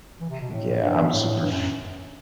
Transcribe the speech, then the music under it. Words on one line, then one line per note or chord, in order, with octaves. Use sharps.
yeah, I'm super f
E3
C3
B2
A2
G2
A2
G2
F#2
F#2